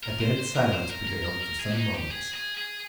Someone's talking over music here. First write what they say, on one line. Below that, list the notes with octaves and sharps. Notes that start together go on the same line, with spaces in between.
A dead silence prevailed for some moments.
A#4
C5
C5
A#4
C5
A#4
A#4
A#4
A#4
G#4
D4
D#4
G4
G#4
G#4
G#4